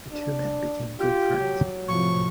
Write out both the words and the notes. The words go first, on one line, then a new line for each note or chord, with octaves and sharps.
The two men became good friends.
D4
F4 G4
F#3
A2 C3 F3 C#6